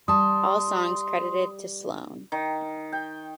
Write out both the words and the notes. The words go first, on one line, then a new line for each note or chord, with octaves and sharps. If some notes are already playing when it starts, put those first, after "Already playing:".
All songs credited to Sloan.
G3 A5 C6 D#6
D#3
G5